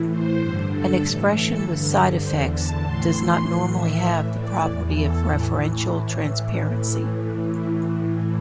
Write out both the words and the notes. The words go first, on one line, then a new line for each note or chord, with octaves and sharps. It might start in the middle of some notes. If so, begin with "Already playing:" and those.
An expression with side effects does not normally have the property of referential transparency.
Already playing: A2 E3
C5
G2 D3 C5
A4
A2 E3
A4
G2 D3
E2 D3 C5
A5
A2 E3 C6
A2 E3 C6
E5
A2 E3
D5
E2 E3
A4
A2 E3